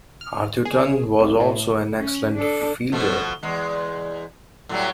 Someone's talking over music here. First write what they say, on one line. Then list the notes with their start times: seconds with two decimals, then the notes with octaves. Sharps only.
Arthurton was also an excellent fielder.
0.21 F6
0.65 G#4
1.19 C2
1.40 A2
1.97 C#4
2.34 D4 A4
2.92 B2 F3 A3
3.43 E2 G#3
4.69 A2 F#3 G3